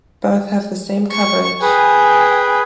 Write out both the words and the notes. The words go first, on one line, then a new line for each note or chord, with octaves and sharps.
Both have the same coverage.
C#6
G#4 B4 G5 G#5